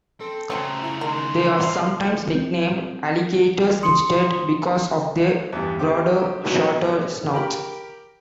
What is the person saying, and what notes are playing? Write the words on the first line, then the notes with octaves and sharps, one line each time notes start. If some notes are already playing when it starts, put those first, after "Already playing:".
They are sometimes nicknamed "Alligators", instead, because of their broader, shorter snouts.
C4 A4
F#2 C#3 F3 A3 C4 C#4
E4
D#3 A#4 D#5 C6
D2 E4 F5
C4
C6 D#6 C#7
E2 G2
G4 C5 D6
F#3 B3 F#4 C#5
G4 A#4 B5